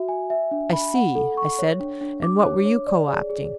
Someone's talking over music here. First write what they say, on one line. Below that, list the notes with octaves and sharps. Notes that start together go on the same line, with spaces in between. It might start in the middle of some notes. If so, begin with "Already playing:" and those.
"I see," I said, "and what were you co-opting?"
Already playing: F#4 E5
G#5
E5
D4
B5
F#5
A4
C#6
C#5
D4
D4
D6
C#5
C#5
D5
G#4
G#4